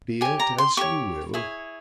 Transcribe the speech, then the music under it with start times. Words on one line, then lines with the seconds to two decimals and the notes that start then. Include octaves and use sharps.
"Be it as you will."
0.21 G4 C#5 G#5
0.39 A#5
0.58 C6
0.77 G4 C#5 C#6
1.34 E4 G#4 C#5